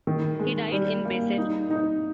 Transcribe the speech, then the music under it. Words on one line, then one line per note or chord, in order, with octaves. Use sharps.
He died in Basel.
D#3
G#3
G3
A#3
D#4
D#4